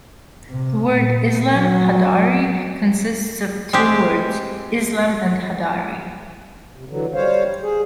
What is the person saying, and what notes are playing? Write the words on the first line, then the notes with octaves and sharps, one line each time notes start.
The word Islam Hadhari consists of two words, Islam and Hadhari.
C3
A#2
F#3
G#3 C4 G4
C3
D3 E3 F#3
G3 C5 C#5 F5
G#4